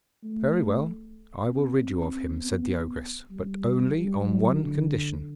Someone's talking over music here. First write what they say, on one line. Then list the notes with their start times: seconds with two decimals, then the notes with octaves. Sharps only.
'Very well, I will rid you of him,' said the ogress, 'but only on one condition.
0.23 A3
1.46 C4
2.08 C4
2.38 B3
3.31 G3
3.92 G3
4.22 F#3
4.53 D3